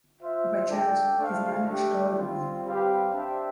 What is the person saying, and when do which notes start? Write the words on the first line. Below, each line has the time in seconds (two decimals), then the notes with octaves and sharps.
By chance, you’ve managed tolerably.
0.22 F4 C5 E5
0.70 D4 A4 D5 G5
1.18 A3 D4 A4 C5 F5
1.67 A3 D4 G4
2.16 G3 C4 F4
2.65 G3 C4 G4 B4 F5
3.13 D4 G4 C5 E5 G5